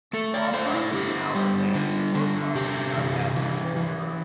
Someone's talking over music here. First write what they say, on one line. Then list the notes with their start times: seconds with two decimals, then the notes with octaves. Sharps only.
while I'm now obtaining the book knowledge, I'm having more
0.13 A3 A4
0.34 D5
0.54 A3 C5
0.66 D4
0.74 E4
0.93 D3 G4
1.35 G3
1.74 D3
2.15 D3
2.55 C3 G4
2.96 E3
3.36 E3
3.76 E3